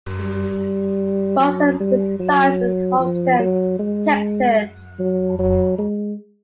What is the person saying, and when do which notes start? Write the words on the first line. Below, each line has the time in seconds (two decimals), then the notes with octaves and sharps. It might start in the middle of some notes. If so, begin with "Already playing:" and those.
Fossum resides in Houston, Texas.
0.20 G3
1.39 F#3
1.80 G3
2.19 F#3
3.00 F3
3.39 F#3
3.79 G#3
4.99 F#3
5.39 F#3
5.79 G#3